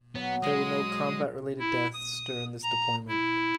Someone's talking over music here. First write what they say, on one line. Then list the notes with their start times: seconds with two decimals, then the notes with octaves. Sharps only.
There were no combat related deaths during this Deployment.
0.15 F#3 B3 F#5
0.43 G#3 D#6
1.59 E4
1.93 D#6
2.63 A#5
3.08 E4